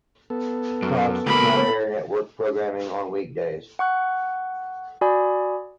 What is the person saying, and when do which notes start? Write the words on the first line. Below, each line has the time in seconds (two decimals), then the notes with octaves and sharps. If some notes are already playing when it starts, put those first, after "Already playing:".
Fox does not air network programming on weekdays.
0.30 B3 A4
0.82 F#2
1.26 C#2 A#3 B5
3.79 F#5 C#6 F#6
5.01 F#4 D5 G#5 B5 D#6